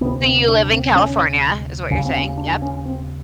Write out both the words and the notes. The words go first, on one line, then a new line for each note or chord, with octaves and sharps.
So you live in California, is what you're saying? Yep.
D2 C3 B3
C4
D4
C4
C#4
D#2 C#3 C#4
C4
C#4
D4
C#4
C4